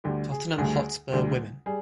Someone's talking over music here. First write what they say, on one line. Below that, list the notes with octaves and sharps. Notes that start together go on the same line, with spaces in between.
Tottenham Hotspur Women.
D2 D3 G3 G4
G#4
D2 D3 G3 G#4
D2 D3 G3
G3 G#4